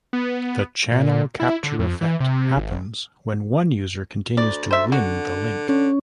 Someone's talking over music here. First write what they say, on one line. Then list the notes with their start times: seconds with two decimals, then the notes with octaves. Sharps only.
The channel capture effect happens when one user continues to "win" the link.
0.13 B3
0.92 A#2
1.40 E4
1.64 D3
1.79 F2
2.01 E3
2.20 C3
2.57 G#1
4.37 D2 D5
4.71 C5 E5
4.92 D3 F#4
5.69 D3 C#4